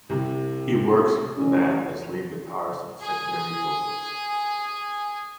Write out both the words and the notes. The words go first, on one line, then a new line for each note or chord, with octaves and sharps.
He works with the band as lead guitarist and secondary vocalist.
C2 C3
A1 C#4
G#4 G#5